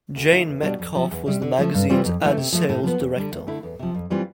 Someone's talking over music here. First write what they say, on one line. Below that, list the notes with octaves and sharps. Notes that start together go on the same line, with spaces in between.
Jane Metcalfe was the magazine's ad sales director.
D2
D3 A3 E4
E2
B2 G3 D4
F2
C3 F3
E2
C3 G3
D3
F3 A3
G2
E3 G3 C4 F4
F2
E3 A3
C3
F3 A3
A2
F3 B3
E2
D3 G3
E2
D3 A3 E4
E2
C3 F3
F2
E3 G3 C4 F4